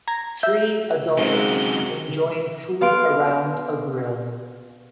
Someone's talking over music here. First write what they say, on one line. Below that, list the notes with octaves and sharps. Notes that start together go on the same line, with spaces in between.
Three adults enjoying food around a grill.
A#5 G#6 A#6
E5 G6
F#2 C3 G#3 C4 D#4 F4 F#4 G7
B3 F5 C6 D7